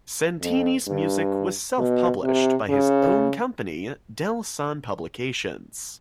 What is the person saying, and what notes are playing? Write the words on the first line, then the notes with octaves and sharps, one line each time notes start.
Santini's music was self-published by his own company, DelSan Publications.
F2
G2
B2
C3
C#3